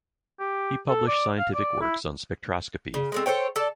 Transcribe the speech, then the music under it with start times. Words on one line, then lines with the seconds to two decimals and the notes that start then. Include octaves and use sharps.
He published scientific works on spectroscopy.
0.39 G4
0.88 A4
1.07 D5
1.38 F5
1.54 D5
1.81 E4
2.94 C#3
3.12 G#3 A3 C4
3.26 A4 C5 C#5 G5
3.56 A4 D5 A5